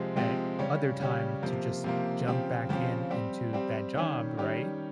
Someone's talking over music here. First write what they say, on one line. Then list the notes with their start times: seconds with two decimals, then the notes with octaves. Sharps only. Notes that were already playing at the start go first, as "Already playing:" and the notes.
at other time to just jump back in into that job, right,
Already playing: C3 F3 G#3 C4 G4
0.16 C3 F3 G#3 C4 G4
0.59 C#3 G3 C#4 G4
1.00 C#3 G3 C#4 G4
1.42 C3 F3 A#3
1.84 C3 F3 A#3
2.27 C#3 F3 C4 G4
2.69 C#3 F3 C4 G4
3.11 G3 C4 G4
3.53 G3 C4 G4
3.95 D#3 G3 C#4 G4
4.37 D#3 G3 C#4 G4